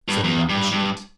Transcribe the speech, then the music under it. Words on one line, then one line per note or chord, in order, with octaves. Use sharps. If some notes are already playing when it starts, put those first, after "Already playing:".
So he got the sheet.
G2
E2
G2
G2